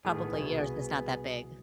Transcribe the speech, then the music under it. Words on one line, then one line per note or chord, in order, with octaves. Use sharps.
Probably yours is not that big.
A2 D#3 B3 G#4
C2 B2